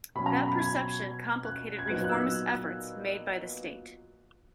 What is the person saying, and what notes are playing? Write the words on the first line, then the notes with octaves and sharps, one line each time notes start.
That perception complicated reformist efforts made by the state.
B2 F#3 C#4 B5
A#5
B5
G#6
F#6
G#6
A#2 F#3 B3 D#4 F#6
F#6
E6